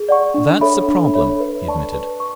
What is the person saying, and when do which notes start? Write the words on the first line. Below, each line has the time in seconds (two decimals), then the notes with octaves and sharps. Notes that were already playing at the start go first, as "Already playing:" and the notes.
"That's a problem," he admitted.
Already playing: G#4
0.09 D5 F#5 C#6
0.34 D4
0.61 A4 C#5 E5 B5
0.88 D4
1.14 A4 C#5 E5 B5
1.40 B4
1.67 D5 A5 C#6
1.94 B4
2.20 C#6